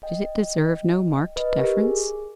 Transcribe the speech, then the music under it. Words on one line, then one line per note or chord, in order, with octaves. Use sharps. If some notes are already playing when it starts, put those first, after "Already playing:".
Did it deserve no marked deference?
D#5 G5
B4 D#5
G4 A#4
G#4